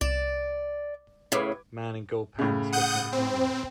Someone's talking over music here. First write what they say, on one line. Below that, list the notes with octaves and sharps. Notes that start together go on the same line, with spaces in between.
Man in gold pants looking at the camera.
C2 D5 E7
A2 C#3 B4 D6 G#6
A2 C#3
F#5 D#6 G6
C4